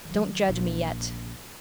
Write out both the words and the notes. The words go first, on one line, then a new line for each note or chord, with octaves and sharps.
Don't judge me yet!
D#3 F#3
A#1 D3